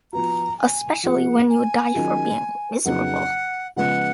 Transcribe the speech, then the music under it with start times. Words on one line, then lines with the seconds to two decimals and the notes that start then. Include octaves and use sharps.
Especially when you die for being miserable.
0.13 F3 B3 F#4 A#5
0.58 G#5
1.03 F3 A#3 F4 G#4 F#5
1.49 G#5
1.94 D#3 F#3 C#4 F4 G#4
2.85 F2 C#3 F#3 B3 D#4 F#5
3.76 C#3 F3 G#3 B3 F#5